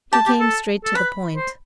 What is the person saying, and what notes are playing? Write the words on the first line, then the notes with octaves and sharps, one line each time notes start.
He came straight to the point.
G4 A5
G4
A4
A4
B4 B5
C5